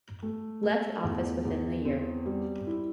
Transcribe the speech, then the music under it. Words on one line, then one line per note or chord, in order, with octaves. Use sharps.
Left office within the year.
A3
A3
E2
E2
C4
G3
E4